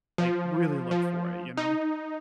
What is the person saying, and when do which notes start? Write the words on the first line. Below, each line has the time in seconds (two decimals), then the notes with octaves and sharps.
like, really look for it, you know?
0.18 F3
0.91 F3
1.57 D#4